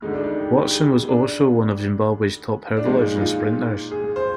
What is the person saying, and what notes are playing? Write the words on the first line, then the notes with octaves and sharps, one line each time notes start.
Watson was also one of Zimbabwe's top hurdlers and sprinters.
D2 D3 G#3 D#4
D4
D#4
G4
G#4
D4
D4
A#2 F3 G#3 D#4
D#4
F4
G#4
C5